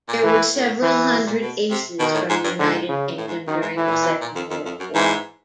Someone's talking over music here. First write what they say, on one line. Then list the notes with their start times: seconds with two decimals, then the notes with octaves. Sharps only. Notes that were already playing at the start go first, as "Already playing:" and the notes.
There were several hundred aces from the United Kingdom during the Second World War.
0.08 A#2
0.23 E3
0.52 A2
0.82 E3
1.12 B2
1.26 A#2
1.41 B2
1.70 C3
2.00 B2 D#3
2.14 A2
2.29 G#2
2.44 G2
2.59 G#2 D3
2.88 C#3
3.18 A2
3.28 G#2
3.47 F#2 D#3
3.62 G#2
3.77 A2 E3
3.87 A2
3.91 A#2
4.02 A#2
4.06 B2
4.21 A#2
4.35 F2
4.50 F2
4.65 F2
4.80 F#2
4.95 G#2 E3